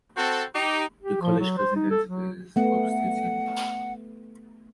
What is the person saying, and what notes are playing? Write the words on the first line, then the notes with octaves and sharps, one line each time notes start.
The college's president is Bob Staton.
C4 F#4 A4
D#4 G4
G4
F3
F#3
C5
D#4
A4
F#3
A3 B3 F#5